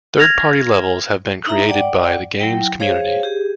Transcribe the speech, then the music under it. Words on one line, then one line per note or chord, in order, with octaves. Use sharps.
Third party levels have been created by the game's community.
F6 G#6 A#6 F7
D#4 E4 E5 A#5
D5 F#5 G5 D6
F#3 E4 G5
G#4 C5 C#5 F5
G4 G#4